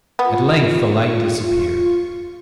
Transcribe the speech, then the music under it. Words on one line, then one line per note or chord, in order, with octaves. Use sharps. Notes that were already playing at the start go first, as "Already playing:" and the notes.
At length the light disappeared.
B3 F4 C#6